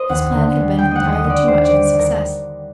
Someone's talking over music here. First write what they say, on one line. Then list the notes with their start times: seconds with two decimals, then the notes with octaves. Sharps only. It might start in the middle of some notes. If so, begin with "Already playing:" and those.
His plan had been entirely too much of a success.
Already playing: A#4 C5 D#5
0.09 D#2 F#5
0.32 D3
0.55 D#2
0.78 G3 G5
0.91 D#5 F#5
1.02 D#2
1.12 D#5
1.24 D3 D#5
1.30 D5
1.47 D#2 C5
1.65 D5
1.71 G3
1.93 D#2
1.99 A#4